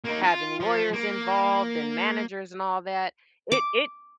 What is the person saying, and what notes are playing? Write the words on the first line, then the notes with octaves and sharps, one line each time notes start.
having lawyers involved and managers and all that, it it
A#3 D#4
F4
F3
A#3
D6